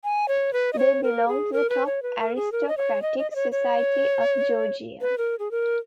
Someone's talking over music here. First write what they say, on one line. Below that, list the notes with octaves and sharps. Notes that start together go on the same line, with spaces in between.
They belonged to the top aristocratic society of Georgia.
G#5
C#5
B4
D#5
C#5
A#4
G#4
A#4
B4
C#5
B4
A#4
G#4
A#4
D#5
C#5
D#5
D#5
D#5
C#5
C#5
B4
A#4
G#4
A#4